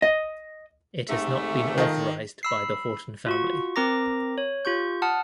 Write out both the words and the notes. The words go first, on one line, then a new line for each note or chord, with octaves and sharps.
It has not been authorized by the Haughton family.
D#5
G#2 C3 A3
D#3 F4 A4 D#5
B5 E6 C7
F4 F#4 C#6
C4 A#4 A#5 D6 A#6
C#5
F4 G4 C#6 G6
F#5 A5 D#6 F6 F#6